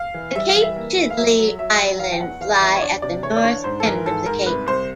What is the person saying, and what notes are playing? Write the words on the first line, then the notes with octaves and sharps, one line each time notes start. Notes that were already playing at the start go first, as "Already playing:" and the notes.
The Cape Chidley Islands lie at the north end of the cape.
Already playing: F5
E3
G3 E5
F5
E3
E5
A#3
E3
F5
F#3 E5
F#3
F#3 E5
F#3
E3 F5
G5
E2 F#5
E3 F5
E2 E5
C#5
D4 D5
C3 D5
E3 C#5
D5
D4 C#5
G#2 C5
A4
E3 A#4
G#2 A4
G#2 A#4
C2 B4
C2 C5